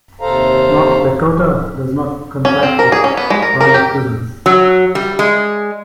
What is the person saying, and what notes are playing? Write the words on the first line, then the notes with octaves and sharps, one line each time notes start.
North Dakota does not contract with private prisons.
D#2 C3 A4 C5 F5 A#5
C#4
C4
A#4
G#4
C#4
B3
G#3
A#4
A#4
G4
F#3
G3
G#3